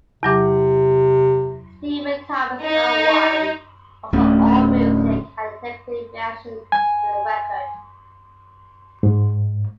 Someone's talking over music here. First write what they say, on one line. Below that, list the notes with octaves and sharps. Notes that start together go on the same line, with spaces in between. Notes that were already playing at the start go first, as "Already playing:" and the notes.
Stephen Thomas Erlewine, also of Allmusic, had a negative reaction to the record.
E2 C3 F#3 D6
D#4
D1 D2 A3 C#4
G#5
G#2